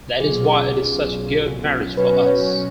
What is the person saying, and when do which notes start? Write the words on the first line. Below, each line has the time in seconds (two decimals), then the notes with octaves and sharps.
That is why it is such a good marriage for us.
0.20 B1 B2 F#3 C#4 F4 G#4
1.96 B2 F#3 C#4 F#4 B4
2.26 C#5